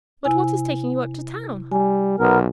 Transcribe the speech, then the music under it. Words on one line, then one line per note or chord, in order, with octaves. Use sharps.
But what is taking you up to town?
C3 E4 G#5
G3 G#5
B1 B3 A#4